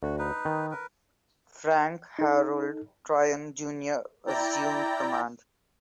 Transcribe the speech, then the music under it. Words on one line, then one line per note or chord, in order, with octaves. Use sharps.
Frank Harold Tryon, Junior assumed command.
D2 F#4
D#4 B4
D#3
A#4 B4
D#4 A4
E4 D5 G5 A#5